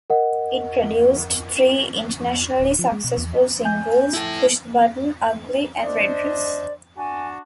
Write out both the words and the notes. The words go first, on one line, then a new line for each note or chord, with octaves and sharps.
It produced three internationally successful singles, "Push the Button", "Ugly" and "Red Dress".
A#4 D#5 F#5
D1
F3
G#3
B2
E2
G#5 G6
E4 A4
D4 C5 D5 D#5
D4 F#4 G#5 A5